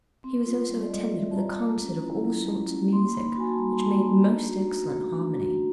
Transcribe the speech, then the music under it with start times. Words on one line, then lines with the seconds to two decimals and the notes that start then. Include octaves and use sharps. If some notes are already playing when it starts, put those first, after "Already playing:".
He was also attended with a concert of all sorts of music, which made most excellent harmony.
0.24 C4
0.46 F4
0.69 G3
0.81 D5
0.91 G3 D#5
1.13 C4 E5
1.31 A5
1.36 F4 A#5
1.58 A3
1.81 C#4
2.03 E4
2.24 F#3
2.47 A3
2.70 C#4
2.92 A#3 C6
3.14 D#4 B5
3.37 F#4 G#5
3.49 A5
3.59 G3 A#5
3.75 C6
3.81 A#3
3.92 C6
4.04 D#4
4.25 D4 A#5
4.48 F#4
4.70 A3
4.92 A3
5.15 D4
5.37 F#4